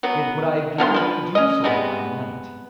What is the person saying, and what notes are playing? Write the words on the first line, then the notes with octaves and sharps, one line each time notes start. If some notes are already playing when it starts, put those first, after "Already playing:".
Yet would I gladly do so, if I might.
F#3 B3
D3 B3 F5 C6
F3 B4
C#4 D#5
C3 G3 G#3 B3